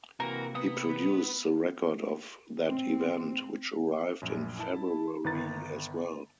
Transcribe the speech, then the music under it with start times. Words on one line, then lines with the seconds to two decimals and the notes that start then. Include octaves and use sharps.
He produced the record of that event, which arrived in February as well.
0.20 C3 E3 A#3 F#4 A#4
0.55 B3 B4 D#6
2.67 C4
4.22 A#1 F#2
4.59 E4 A5
5.24 G1 D#3 B4 A#5 A6